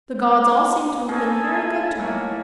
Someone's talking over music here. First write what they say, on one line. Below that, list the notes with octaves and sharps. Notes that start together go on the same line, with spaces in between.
The gods all seemed to have been very good to her.
C4 C#4 D#4 G#4 A4 G#5
E4
A2 A3 A#3 C#6